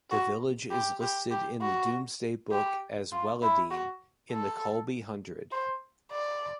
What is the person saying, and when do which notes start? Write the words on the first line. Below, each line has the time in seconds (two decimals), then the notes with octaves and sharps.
The village is listed in the Doomsday Book as 'Weledene', in the Colby Hundred.
0.11 F#4
0.71 G4
1.01 G4
1.31 G4
1.62 F#4
2.51 G4
3.12 F4
3.42 E4
3.71 F#4
4.32 A4
5.52 C5
6.12 D5